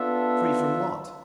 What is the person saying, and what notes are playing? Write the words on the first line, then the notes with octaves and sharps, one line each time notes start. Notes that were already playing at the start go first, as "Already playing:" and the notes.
Free from what?
Already playing: B3 D4 F4 A4 E5